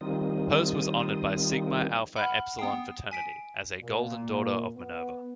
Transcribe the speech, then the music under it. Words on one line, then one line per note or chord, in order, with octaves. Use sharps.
Post was honored by Sigma Alpha Epsilon fraternity as a "Golden Daughter of Minerva".
D#3 G3 C4 D#4 F4 D#6
F#5 B5 F6
B3 G5 D#6 C7
G#5 B6 D7
A#2
B3